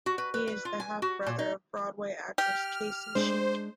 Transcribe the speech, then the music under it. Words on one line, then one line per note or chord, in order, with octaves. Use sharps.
He is the half brother of Broadway actress Kacie Sheik.
F#4
B4
B4
B4
F4
G#5
F#4
A#2
D#4
G4 F6
G#3 D4 C5